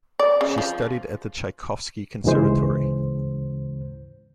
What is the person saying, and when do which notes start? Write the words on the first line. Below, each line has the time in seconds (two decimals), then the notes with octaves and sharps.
She studied at the Tchaikovsky Conservatory.
0.19 D5
0.41 C#3
0.58 F3
2.24 D2 G#2 C#3 E3 G#3 C5